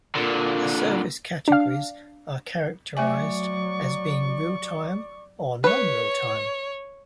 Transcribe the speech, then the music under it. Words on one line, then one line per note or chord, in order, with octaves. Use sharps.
The service categories are characterised as being real-time or non-real-time.
A#2 D3
D4 F5
F#3 A3 D5 E5 G#5 C#6
B4 C#5